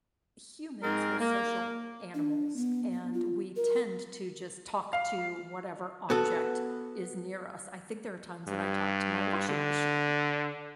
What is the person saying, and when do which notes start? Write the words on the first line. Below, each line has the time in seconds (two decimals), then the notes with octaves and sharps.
humans, we're social animals, and, we tend to just talk to whatever object is near us. I think there are times when I talk to my washing machine,
0.83 G#2 G#3 C4 A#4
1.20 A#3
2.14 D4
2.56 B3
2.93 B3
3.14 F4
3.56 A#4
4.93 F5
6.10 B3 F#4 A4
8.47 G2
9.49 D3